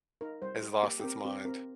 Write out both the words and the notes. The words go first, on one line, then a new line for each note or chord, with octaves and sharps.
has lost its mind.
D#4 A#4
G3 C5
G4
A#3 G4
G4
C4 A#4
C4 G4
C4 A#4